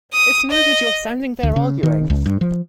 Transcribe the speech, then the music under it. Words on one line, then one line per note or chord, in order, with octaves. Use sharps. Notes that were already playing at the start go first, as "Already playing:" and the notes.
It's no good your standing there arguing.
D#6
D#5
D2
C#3
D#3
C#2
G2
F3